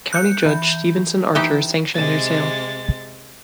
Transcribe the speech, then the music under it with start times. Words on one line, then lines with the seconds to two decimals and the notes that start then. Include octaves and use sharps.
County Judge Stevenson Archer sanctioned their sale.
0.13 F#6 G6 C#7
0.46 E3 G6
1.35 E3 D#4 G4 E5 G5
1.95 C3 G#3 A6